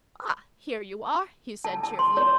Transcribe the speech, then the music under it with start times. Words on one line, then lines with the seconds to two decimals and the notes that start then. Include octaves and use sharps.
"Ah, here you are," he said cheerfully.
1.65 A5
1.83 A5
1.99 C6
2.17 C#5